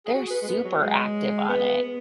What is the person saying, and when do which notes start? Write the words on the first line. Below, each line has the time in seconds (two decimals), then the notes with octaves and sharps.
they're super active on it
0.06 G#4
0.14 F#4
0.26 G#4
0.31 B4
0.42 G#3
0.48 B3
0.65 F#3
0.81 G#3
1.49 B3
1.83 B3